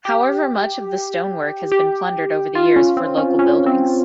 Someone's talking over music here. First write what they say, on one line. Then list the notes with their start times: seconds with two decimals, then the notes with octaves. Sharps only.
However much of the stonework has been plundered over the years for local buildings.
0.05 G4
1.72 G4
2.55 F4
2.76 C#4
2.97 C4
3.17 C#4
3.39 C#4
3.66 C4